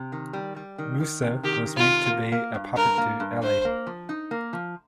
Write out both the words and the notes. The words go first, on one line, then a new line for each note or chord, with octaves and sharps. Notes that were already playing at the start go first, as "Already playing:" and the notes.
Musa was meant to be a puppet to 'Ali.
Already playing: C3
D#3
G3
G3
D#3
D#3
C3
D#3 G4
D#3
F4
C3
A#3
A#3
G2
G2 A#4
A#3
G2
G2 C5
A#3
F3
D#4
A#3
F3